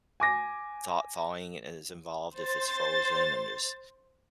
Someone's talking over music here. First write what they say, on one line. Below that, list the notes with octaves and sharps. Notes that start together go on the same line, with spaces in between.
thaw thawing is involved if it's frozen and there's
G#5 D6 A#6
C5 A6